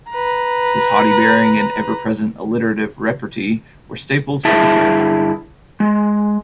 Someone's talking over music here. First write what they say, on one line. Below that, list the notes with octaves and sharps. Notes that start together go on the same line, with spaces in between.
His haughty bearing, and ever-present alliterative repartee, were staples of the character.
B4 A#5
G2 D3 E4 G#4 E5 A5
G#3